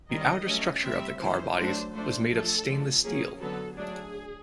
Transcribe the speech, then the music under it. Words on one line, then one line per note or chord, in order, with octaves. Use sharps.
The outer structure of the car bodies was made of stainless steel.
D#3 G3 C4 D#5
F#3 A3 C#4
G3 C4 E5
E3 A3 C#4 C5
F#3 A3 D4 C5
F3 A3 D4 C5
F3 A3 D4 A4
D3 F3 A3
F#3 A#3 C#4 G#4
D3 F#3 B3 A4
F#3 A3 D4 G#4